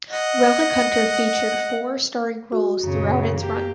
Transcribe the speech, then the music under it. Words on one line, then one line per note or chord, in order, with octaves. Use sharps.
"Relic Hunter" featured four starring roles throughout its run.
D#5 F#5
F#4
F#2 A#2 C#3
A#3 G4